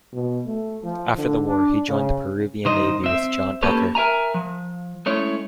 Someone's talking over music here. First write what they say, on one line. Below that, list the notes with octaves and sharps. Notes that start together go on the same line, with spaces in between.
After the war, he joined the Peruvian Navy with John Tucker.
B2
A3
F3
D3
D4
C#3
C2 G#2 D#3 C5 D#5
C4 E5
A#3 C#4 G4 A4 B4 C#5
A#4 E5 G#5 A#5
F3
G#3 A3 C#4 E4 C#5